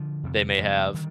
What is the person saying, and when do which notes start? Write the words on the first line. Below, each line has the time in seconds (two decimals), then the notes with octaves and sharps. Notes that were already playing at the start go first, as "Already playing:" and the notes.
they may have,
Already playing: D3 F3
0.23 F2 C3
0.58 F2 C3 F3 G#3
0.94 D3 D#3 G3